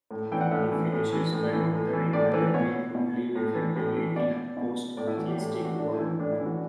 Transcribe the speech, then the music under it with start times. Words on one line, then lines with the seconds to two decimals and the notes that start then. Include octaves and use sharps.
He finishes by wondering whether we could live effectively in a post-theistic world.
0.11 A2
0.32 E3 G5
0.41 F#5
0.51 A2 E5
0.72 E3
0.92 A2
1.13 E3
1.33 A2
1.53 E3
1.73 A2
1.93 E3
2.13 A2 D5
2.34 E3 B4
2.54 B2 C#5
2.95 B2
3.35 A2
3.55 E3
3.76 A2
3.97 E3
4.16 B2 D5
4.57 B2
4.97 A2 D5
5.07 E4
5.17 E3 F#4
5.28 G4
5.39 A2
5.52 G4
5.59 E3
5.65 F#4
5.79 A2 D4
5.99 E3 E4
6.19 A2 D4
6.32 E4
6.40 E3
6.46 F#4